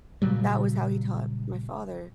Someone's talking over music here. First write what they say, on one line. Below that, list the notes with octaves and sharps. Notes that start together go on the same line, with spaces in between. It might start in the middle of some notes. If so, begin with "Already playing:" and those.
that was how he taught my father
A#2 C#3 F#3 G3